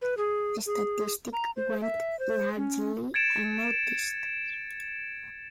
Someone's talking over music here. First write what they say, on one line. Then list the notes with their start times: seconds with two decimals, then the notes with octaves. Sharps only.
The statistic went largely unnoticed.
0.02 B4
0.17 G#4
0.66 G#4
1.33 A#5
1.56 C5
1.81 E5
2.19 C5
2.57 C#4
3.14 G#6 A6 C#7 D7 E7